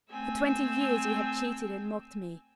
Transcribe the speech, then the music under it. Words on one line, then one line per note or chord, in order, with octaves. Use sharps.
For twenty years you have cheated and mocked me.
A3 C4 G#5 E6